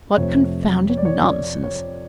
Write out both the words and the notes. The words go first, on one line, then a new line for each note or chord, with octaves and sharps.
What confounded nonsense!
F2 C3 F3 A3 C#5
C#5
D5
C#5
D5
C#5